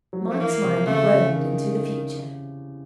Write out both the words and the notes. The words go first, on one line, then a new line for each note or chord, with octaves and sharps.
Mike's mind roamed into the future.
F#3
F3 A3
E3 A#3
C3
C#3 A3
C#3
D#3